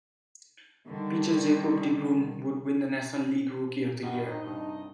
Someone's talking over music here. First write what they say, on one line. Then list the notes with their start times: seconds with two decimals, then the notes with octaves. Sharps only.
Pitcher Jacob deGrom would win the National League Rookie of the Year.
0.88 D3 D#3 G3
4.03 G2 D#3 G3 D#5 F#5
4.27 D#4 C5
4.44 C2 G2 D4 D#5